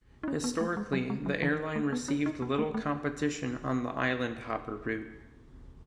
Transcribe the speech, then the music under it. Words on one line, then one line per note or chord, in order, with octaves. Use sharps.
Historically the airline received little competition on the "island-hopper" route.
D#4
C#4
B3
A3
G#3
F#3
G#3
F#3
E3
A3
B3
C#4
D#4
B3
A3
A3